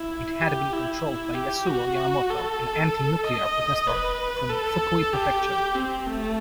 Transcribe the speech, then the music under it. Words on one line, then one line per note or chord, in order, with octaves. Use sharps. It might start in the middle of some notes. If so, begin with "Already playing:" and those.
It had been controlled by Yasuo Yamamoto, an anti-nuclear protestor from Fukui Prefecture.
Already playing: E4
G4
E4
G4
F#4
A4
D#5
B4
A4
G4
C4
A3